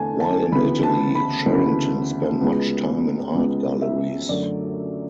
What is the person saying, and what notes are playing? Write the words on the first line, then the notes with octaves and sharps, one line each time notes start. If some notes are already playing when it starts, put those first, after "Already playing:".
While in Italy, Sherrington spent much time in art galleries.
Already playing: E2 D3 A3 G#5 A5
A5
D2 C#3 E3 B3 B5
A5
B5
D2 C#3 E3 B3
C#2 C#3 G#3 B3
C#2 C#3 G#3 B3
E5
F#2 D3 F#3 A3 D5